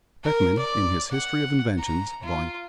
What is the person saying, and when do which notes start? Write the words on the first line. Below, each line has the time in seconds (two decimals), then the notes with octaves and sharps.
Beckmann, in his History of Inventions, Vol.
0.24 A#4
0.58 D5
1.11 F#5
1.79 A#5
2.23 F4